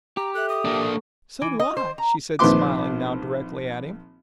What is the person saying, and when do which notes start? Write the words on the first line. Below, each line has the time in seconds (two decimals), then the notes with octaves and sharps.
"So do I," she said, smiling now directly at him.
0.17 G4 A#5
0.34 A4 E5 F#6
0.49 D#6
0.65 A#3 D4
0.81 A4 C#6
1.42 E3
1.60 D#5
1.77 C5
1.98 A#5
2.39 A#1 D#3 C4 B4 C6 D6